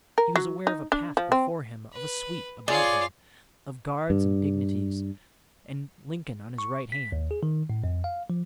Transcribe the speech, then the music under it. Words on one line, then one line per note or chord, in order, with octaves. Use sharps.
He was aware of a path before him, of a suite about him, of guards and dignities, and Lincoln on his right hand.
A#4
F#3
D#4
D4
F3
C4
B4
F4 G#4 C#5 D5 F5
G2
C#6
B6
D#2
G#4
D#3
A2
F2
F5
F3